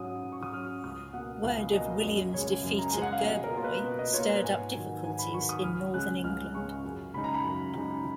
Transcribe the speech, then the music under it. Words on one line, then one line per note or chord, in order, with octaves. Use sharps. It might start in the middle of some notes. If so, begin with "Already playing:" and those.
Word of William's defeat at Gerberoi stirred up difficulties in northern England.
Already playing: G#2 F#3 C#4 D#6
G#2
C#6
D#6
F#3 C#4 F6
C#2 D#6
B2 A#3 F#5
C#2 F5
B2 A#3 D#5
F#2 D#5
C#3 G#3 C#5
F#2
A#5
C#3 G#3 G#5
F#5
F5
B2 D#5
A#4
A#3 F4
B4
B2
D#5
A#3 F4 C#5
B4
G#2 G#5
D#3 F#3
G#2 G#5
B5
D#3 F#3 C#6
D#6
C#2 F6
C#3 G#3 C#4 F#6
C#2 F6
C#3 G#3 C#4 C#6
F#2
C#3 G#3 D#4 B5
A#5
B5
F#2
C#3 G#3 D#4